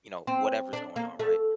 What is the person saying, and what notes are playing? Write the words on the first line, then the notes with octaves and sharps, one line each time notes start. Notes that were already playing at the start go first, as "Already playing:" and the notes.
you know, whatever's going on, right?
C4
D4
A#3
A3